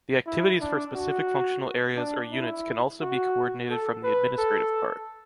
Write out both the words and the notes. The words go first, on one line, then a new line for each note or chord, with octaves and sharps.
The activities for specific functional areas or units can also be coordinated from the administrative part.
E4
D4
F#4
D4
E4
F#4
A4
B4
A4